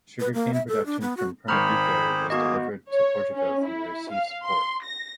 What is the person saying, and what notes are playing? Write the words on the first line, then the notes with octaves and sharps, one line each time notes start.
Sugar cane production from Pernambuco was delivered to Portugal through Recife's port.
B4
A#3
E5
A4
D4
B3
F#4
G#1 C4 G#4 C5 A#5 B5 C#6 F6
A#3 B3 F#4 G#4 D#5
C#5
C#4
E4
F5
C6
A#6